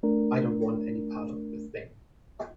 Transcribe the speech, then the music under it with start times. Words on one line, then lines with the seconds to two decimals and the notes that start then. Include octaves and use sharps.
I don't want any part of this thing.
0.03 A3 D4 A#4